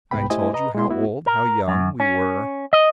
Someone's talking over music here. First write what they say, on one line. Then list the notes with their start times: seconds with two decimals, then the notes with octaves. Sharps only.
I told you how old--how young--we were....
0.11 C2 G#2 B3 B4 G5 B5
0.30 A3 E4 G4 C5 D#5 G#5
0.53 B4 D#5 A#5
0.75 G#3 E4 C6
0.88 A3 B3 E4 F#4
1.26 A#4
1.68 F#2
2.00 C#4
2.73 D#5